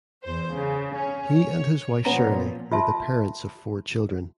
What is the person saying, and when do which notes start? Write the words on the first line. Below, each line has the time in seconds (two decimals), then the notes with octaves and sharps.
He and his wife Shirley were the parents of four children.
0.23 E2 C5
0.53 C#3
0.94 C#4
1.28 C#5
2.05 A#2 F3 B3 C#4 A#5
2.72 F4 E5 A5 C6